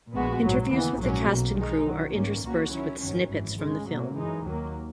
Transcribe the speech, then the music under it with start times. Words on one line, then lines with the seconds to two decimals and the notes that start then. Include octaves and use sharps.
Interviews with the cast and crew are interspersed with snippets from the film.
0.12 A#1 A#2 G#3 B3 F#4
0.41 A#1 G#2 F#3
0.69 D#2 C#3 E3 B3
0.99 A#1 G#2 F#3 A#3 C#4
1.27 B1 B2 A#3
1.56 D#3 G#3 D#4
1.85 F#2 D#3 F#3
2.14 G#2 D#3 A#3 C#4
2.43 C#2 B2 A#3 C#4 F#4
2.72 D#3 F#3 C#4 E4
3.01 G#1 F#2 D#3 F#3 C#4
3.29 G#1 F#2 E3
3.59 C#2 C#3 G#3
3.88 B2 F#3 A#3
4.16 F#2 E3 G#3 D#4
4.45 D#2 D#3 F#3 A#3